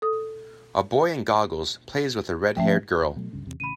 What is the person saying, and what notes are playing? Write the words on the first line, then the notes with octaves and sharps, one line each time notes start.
A boy in goggles plays with a readhaired girl.
A4 D#6
F3 A3 C#4 E5 G5
D#2
B2 F#3 A3
C#2 G2 C#3
E2 C3
A1 C#3 B5 D#7